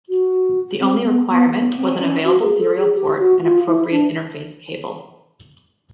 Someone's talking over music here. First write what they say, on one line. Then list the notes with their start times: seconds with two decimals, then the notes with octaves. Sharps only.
The only requirement was an available serial port and appropriate interface cable.
0.09 F#4
0.81 C4
1.04 B3
1.29 B3
1.52 B3
1.76 C4
2.00 C#4
2.24 F#4
2.42 G#4
2.59 A4
2.77 G#4
2.96 G4
3.20 F#4
3.43 F4
3.67 E4
3.91 D4